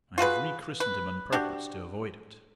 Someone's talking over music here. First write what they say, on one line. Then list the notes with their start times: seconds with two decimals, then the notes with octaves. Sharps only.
I have re-christened him on purpose to avoid it.
0.18 F4 F#4 G#4 B4
0.80 B4
1.32 D4 F#4 G4